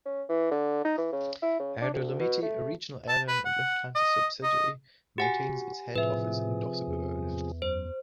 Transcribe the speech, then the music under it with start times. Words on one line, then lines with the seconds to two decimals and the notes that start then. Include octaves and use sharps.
Air Dolomiti, a regional airline and Lufthansa subsidiary, maintains its head office in Dossobuono.
0.06 C#4
0.29 E3
0.51 D3
0.85 D#4
0.98 E3
1.12 C#3
1.43 E4
1.59 C#3
1.81 D4
1.93 D2
2.20 B2
2.42 A3
3.09 A5
3.28 B4
3.45 F#5
3.95 D#5
4.43 D#5
5.18 F#4 G4 F#5 G#5
5.96 A2 C3 F3 G#4 B4 E5
6.87 E2
7.62 F#2 C5